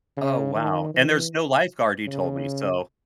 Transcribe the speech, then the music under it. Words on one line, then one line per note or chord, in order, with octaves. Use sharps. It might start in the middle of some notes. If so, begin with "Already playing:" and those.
Oh, wow, and there's no lifeguard, you told me, so
C#3
D#3
E3
C#3